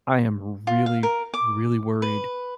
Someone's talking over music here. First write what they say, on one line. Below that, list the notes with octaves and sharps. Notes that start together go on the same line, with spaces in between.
I am really, really worried
F4
F5
A#4
D6
B4